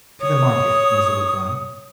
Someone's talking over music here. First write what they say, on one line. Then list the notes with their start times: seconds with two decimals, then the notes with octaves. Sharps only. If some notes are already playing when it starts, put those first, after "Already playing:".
'To the market,' was the reply.
0.21 C#5 D#6